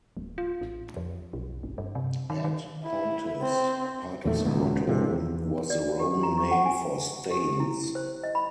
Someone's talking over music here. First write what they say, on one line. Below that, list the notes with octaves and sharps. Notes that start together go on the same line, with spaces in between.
Ad Pontes, part of the motto, was the Roman name for Staines.
D1
F4
A1
F2
B1
G1
G2
C3
D#3
D#3
E4
C4
E2 A#2 D#3 A3
D#1 C#2 B2
G#2 C3 D#3 F3
E2
D5
G4
A#5
C#6
F#5
G#5
G4
E4
C5
D#5
B5